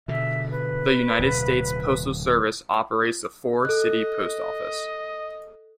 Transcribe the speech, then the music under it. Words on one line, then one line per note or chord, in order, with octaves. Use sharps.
The United States Postal Service operates the Forrest City Post Office.
B2 D3 E5
B4
D1 B2
A4 D#5 F#6